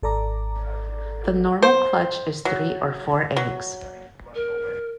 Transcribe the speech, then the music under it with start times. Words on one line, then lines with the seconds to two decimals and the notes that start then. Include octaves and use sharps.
The normal clutch is three or four eggs.
0.03 G#1 A4 D5 A#5 D6
1.62 C5
2.45 F#3
3.36 F#3
4.34 A#4